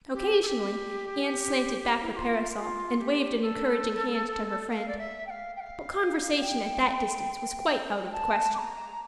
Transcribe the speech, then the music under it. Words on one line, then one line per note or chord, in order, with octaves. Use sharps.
Occasionally Anne slanted back her parasol and waved an encouraging hand to her friend; But conversation at that distance was quite out of the question.
G4
A4
G4
E4
G4
F4
G4
F4
G4
A4
F5
D5
E5
G5
F5
G5
F5
G5
G5
A5
D6
A#5